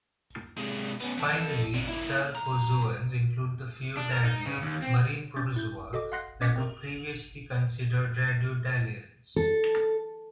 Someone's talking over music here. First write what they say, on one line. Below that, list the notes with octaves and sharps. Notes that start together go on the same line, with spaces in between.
Finally, cercozoans include the Phaeodarea, marine protozoa that were previously considered radiolarians.
C3 G#3
B3 C#4
F2 A4
C4 D4
A#3 E4
F#2 A#5
D4
A#4
D#4
C#3
D#2
C4
C#4 D4 G6 A6
E4 G6
F#4 A4 D#5 D6
F5 F#5 C6 F#6 A#6 C7
C#4 D#5 D6 B6 C#7
C4 A#4
A4